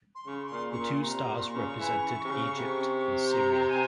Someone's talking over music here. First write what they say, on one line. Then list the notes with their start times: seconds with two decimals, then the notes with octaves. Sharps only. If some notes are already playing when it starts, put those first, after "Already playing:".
The two stars represented Egypt and Syria.
0.15 C6
0.27 C#3 C#6
0.46 C6
0.52 A#2
0.72 C#6
0.78 A#2
0.84 C6
1.03 C3 A#5
1.29 A#2
1.35 C6
1.42 C#6
1.54 C#3
1.79 E3
2.24 C3
2.30 C#3
2.56 C3
3.32 A#5
3.69 G#5